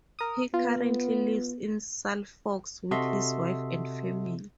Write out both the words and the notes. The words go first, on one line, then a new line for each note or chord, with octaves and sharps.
He currently lives in Suffolk with his wife and family.
A#4 D#6
B3 F4
C3 F#4 A4 D#5 E5 C6